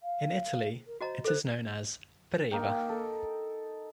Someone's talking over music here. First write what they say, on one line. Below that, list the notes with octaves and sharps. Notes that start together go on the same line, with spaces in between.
In Italy it is known as Breva.
F5
A#4
F#4 C5 D#5 A#5
F4 A4 C5
A#3 D#4 G5
A4